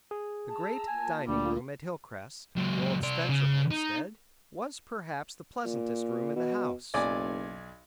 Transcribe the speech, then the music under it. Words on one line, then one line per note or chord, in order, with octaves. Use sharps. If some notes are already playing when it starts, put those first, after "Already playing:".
The great dining-room at Hilcrest, the old Spencer homestead, was perhaps the pleasantest room in the house.
G#4
A5 A#5 E6
A#3 F4 G#5
D2 G3 D4
C#2 F#3
C3 D5
C#3
D#4
A#2
B2
F#1 B1 D5 G#5